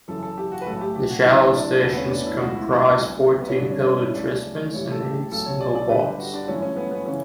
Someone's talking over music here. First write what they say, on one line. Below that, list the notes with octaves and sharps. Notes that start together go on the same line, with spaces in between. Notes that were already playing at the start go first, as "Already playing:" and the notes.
The shallow stations comprise fourteen pillar-trispans and eight single vaults.
F#1 F#2 E3 A4
A4
G4
F#4
B4
B1 A2 F#3 A3 A4
G4
G4
F#4
F#1 F#2 D3 F#3 A3 E4
D4
D4
E2 D3 A3 B3
B3
C#4
D4
E4
C#2 B2 F#3 A3 F#4
E4
D4
B1 B2 F#3 A3
B3
C#4
A1 G2 D3 G3 D4
C#4
C#4
E4
D2 C#3 F#3 A3 D5
A1 A2 E3 G3 C#5
A4
G4
B1 B2 A3 A4
C#5
D5
D5
G1 G2 D3 G3 B4
G4
F#4
D4
G1 F#2 E3 A3 C#4
C#4
B3
B3
C#3 E3 C#4